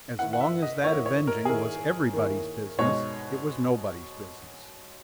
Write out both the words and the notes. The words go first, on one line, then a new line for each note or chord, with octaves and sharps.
As long as that avenging was everybody's business it was nobody's business.
D#3 A#3 E4 F#5
F#5
E5
D#5
D#3 A#3 E4 C#5
C#5
A#4
G#4
D#3 A#3 E4 A#4
D#3 A#3 E4
B2 G#3 D#4 C#5